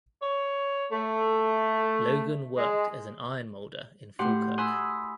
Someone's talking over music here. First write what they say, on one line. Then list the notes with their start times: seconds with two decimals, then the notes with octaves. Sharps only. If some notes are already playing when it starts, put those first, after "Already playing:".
Logan worked as an iron moulder in Falkirk.
0.22 C#5
0.92 A3
2.57 G#3
4.19 A2 G4 F#5 C6
4.58 G#5 B5 C6 D#6 E6 F#6